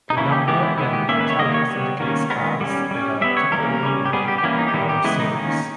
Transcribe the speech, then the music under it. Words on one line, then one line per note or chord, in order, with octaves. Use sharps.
The number in "Italics" indicates cars that are temporarily out of service.
D#4
C#3 E3 A#3 C#4 E4
G4
E3 G#3 B3 G4
E4
D#3 G#3 B3 E4
G4
D#3 A#3 C#4 E5
B4
C#5
D#3 G3 A#3 D#5
C#5
G3 B3
D#3 A#3 C#4
D#3 G#3 B3 A#4
G3 C#4
G3 C#4
G3 B3 E5
C#5
E3 G3 A#3 C#4 A#4
G3 C#4
G4
G3 B3 G#4
G4
G4
E3 A#3 C#4 E4
D#4
G4
D#3 G3 B3 E4
G4
C#3 E3 G#3 B3 E4
D#4
D#3 A#3 C#4